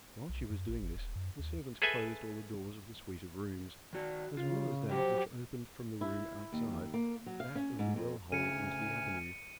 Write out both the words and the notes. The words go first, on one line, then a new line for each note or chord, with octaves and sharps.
While she was doing this, the servants closed all the doors of the suite of rooms, as well as that which opened from the room outside--that of the well-hole into the avenue.
B1
F#2
A1
G1
D#1
F#2
D#2
G#4 A4 B4 E5 G#5
D#3 F#4
C#3 A#3 F4
F3 F#3 G4
E4
D#2
A#3
F#3
F5
C#4
G#2
F2
D2 C#3 G#5 F6 C#7 D#7